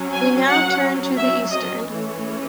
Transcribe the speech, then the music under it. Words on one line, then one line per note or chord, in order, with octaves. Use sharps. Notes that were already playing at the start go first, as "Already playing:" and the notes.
We now turn to the eastern.
Already playing: F#3 C#4
G#5
F#5
E5
D#5
E3 A3 C#4